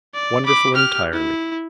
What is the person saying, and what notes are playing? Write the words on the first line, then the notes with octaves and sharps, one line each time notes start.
Wonderful entirely.
D5
B5 D6
G4 F6
E4